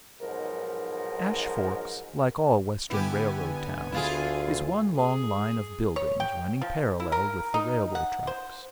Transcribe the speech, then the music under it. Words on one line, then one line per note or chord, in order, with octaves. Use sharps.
Ash Forks, like all Western railroad towns, is one long line of buildings running parallel with the railway tracks.
B1 G#2 F3 A#4
D3 B3 E4 G4 G#5
D2 E4 F4 G#4
G#4
C#5
G5
F3
E4
A#4
D#4
F#5
C5